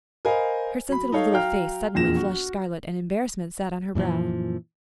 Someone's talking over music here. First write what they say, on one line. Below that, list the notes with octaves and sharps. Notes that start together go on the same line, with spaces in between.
Her sensitive little face suddenly flushed scarlet and embarrassment sat on her brow.
A#4 C5 D#5 F5 G#5 B5
F#3 B5
D#4 A4 C#5 F5
F#3 F5 G5 A#5 F6
E1 F2 A#2 A#6 E7
F#4
F#2 A#2 E3 F3